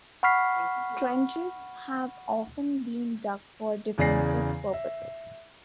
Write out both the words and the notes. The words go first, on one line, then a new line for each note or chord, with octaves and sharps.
Trenches have often been dug for defensive purposes.
F#5 B5 C#6 F6 B6 C7
E2 C#3 G#4 D5 A#6 C7
E5